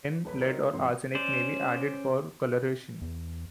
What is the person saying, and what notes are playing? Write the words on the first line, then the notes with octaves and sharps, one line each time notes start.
Tin, lead or arsenic may be added for colouration.
D#1 B4 B5
C4 D#4 F#4 A#4 C#5
E1 E2 G#2 C3 C6
C#4 C5 D5
E2